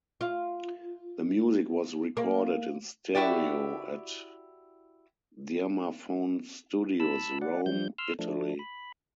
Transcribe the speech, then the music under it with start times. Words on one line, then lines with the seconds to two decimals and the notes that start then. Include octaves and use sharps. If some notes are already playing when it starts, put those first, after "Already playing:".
The music was recorded in stereo at Dirmaphon Studios, Rome, Italy.
0.21 F4
2.17 A#3
3.15 E4 F#4 G4 D5
7.00 A5 B5 E6
7.42 D5 F#5
7.66 F3 G3 G6
7.98 C6 E6 F6
8.19 F3 A3 D4
8.59 B5